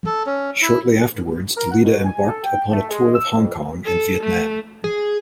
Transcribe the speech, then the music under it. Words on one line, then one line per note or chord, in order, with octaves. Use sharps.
Shortly afterwards Dalida embarked upon a tour of Hong Kong and Vietnam.
A4
C#4
E4
A#4
F#5
B2
G#5
A4
G5
A3
G#3
E6
F2
A4
A3
G#4